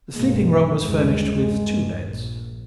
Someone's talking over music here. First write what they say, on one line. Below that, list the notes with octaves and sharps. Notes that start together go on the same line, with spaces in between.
The sleeping-room was furnished with two beds.
B1 G2 G#3 A#3
G1 D#2 C3 G#3
G2
A#1